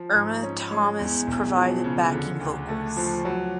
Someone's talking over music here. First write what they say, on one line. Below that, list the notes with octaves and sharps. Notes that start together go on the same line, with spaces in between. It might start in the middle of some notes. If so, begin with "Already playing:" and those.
Irma Thomas provided backing vocals.
Already playing: F3
G#2
C#4
G#3
E2
E1
F3
C#3
D3
D2
A3
F3
F#3